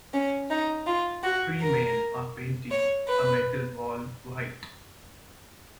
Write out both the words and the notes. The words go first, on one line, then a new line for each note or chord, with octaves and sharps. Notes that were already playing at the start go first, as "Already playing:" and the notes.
Three men are painting a metal wall white.
C#4
D#4
F4
F#4
A#4
C#5
B4